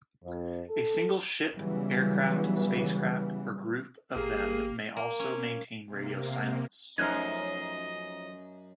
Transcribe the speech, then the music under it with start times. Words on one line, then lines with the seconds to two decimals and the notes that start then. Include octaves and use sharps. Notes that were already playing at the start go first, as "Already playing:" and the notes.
A single ship, aircraft, spacecraft, or group of them may also maintain radio silence.
0.24 F2
0.68 A4
1.56 C#3 E3 F#3 G3 B3
4.16 G#1 A#3 G4 G#4
4.97 A#3
5.19 C#4
5.85 C3 A#3
6.98 F#2 F3 A3 D#4 D#5 F6 F#6 G#6